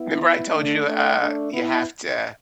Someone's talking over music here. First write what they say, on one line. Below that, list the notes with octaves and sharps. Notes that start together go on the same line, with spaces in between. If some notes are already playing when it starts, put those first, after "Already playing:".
'Member I told you, uh, you have to
Already playing: B3 E4
A3 D4
A3 D4
A3 D4
B3 E4